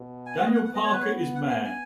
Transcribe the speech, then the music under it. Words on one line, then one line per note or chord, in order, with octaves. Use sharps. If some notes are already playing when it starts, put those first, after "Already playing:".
Daniel Parker is Mayor.
Already playing: B2
G#5
F#5
B3 D#5
F#5
F#5
B3 D#5
C#5
B4
C#5
F#5
G#5
G#5